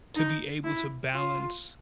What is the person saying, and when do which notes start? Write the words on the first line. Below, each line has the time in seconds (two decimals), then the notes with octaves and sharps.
to be able to balance
0.16 D#4
0.64 E4
1.13 F4